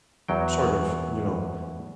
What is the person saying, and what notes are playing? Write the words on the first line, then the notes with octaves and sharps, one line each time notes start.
sort of, you know,
E2 F#3 G5